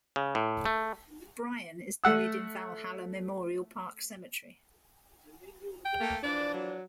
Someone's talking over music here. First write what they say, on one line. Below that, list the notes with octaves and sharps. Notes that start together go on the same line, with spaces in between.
Bryan is buried in Valhalla Memorial Park Cemetery.
C#3
A2
A3
A3 F#5 E6
G5
A3 A#3
E3 F3 D4 D5
F#3